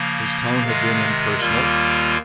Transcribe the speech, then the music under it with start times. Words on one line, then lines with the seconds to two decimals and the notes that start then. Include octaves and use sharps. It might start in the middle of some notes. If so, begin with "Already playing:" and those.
His tone had been impersonal.
Already playing: C#3 F3 A#3
0.24 C6
0.62 C3 D#3 G#3 F5
1.40 D#2 D#3 G3 A#3 F4